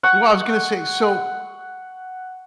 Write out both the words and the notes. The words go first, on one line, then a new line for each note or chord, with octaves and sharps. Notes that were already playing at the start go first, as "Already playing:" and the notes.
Well, I was gonna say so
F#5 C#6